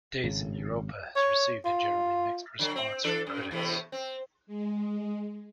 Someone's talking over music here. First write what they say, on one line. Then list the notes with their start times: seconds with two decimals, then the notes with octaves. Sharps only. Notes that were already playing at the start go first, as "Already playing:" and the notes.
"Days in Europa" has received a generally mixed response from critics.
0.24 G#1 C#3
1.16 C#5
1.65 F4
2.59 D3 F#3
2.76 C4
3.04 E3 D4 A4
3.27 F#2
3.51 E2 A2 C3
3.92 C4
4.47 G#3